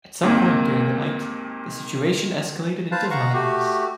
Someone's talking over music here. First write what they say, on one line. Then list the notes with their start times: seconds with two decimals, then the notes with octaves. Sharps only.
At some point during the night, the situation escalated into violence.
0.23 D#2 G#2 D#3 A#3 C4
2.92 B4 C5 F5 A5
3.11 F5 F#5 A#5 C#6
3.34 A3 F#4 G4